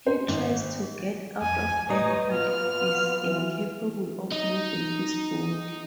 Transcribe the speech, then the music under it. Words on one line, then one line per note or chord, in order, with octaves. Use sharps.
He tries to get out of bed but is incapable of moving his body.
C5
G#1
F2 G#5
A2 D#4 B4 C#5 D#6
B3 F4 F6
E3
D#4